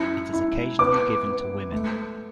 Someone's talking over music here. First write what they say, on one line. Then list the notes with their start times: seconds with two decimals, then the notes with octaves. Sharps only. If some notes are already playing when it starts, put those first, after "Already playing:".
It is occasionally given to women.
Already playing: F#2 E4
0.33 E4
0.79 B3 D6
1.26 B3
1.72 A3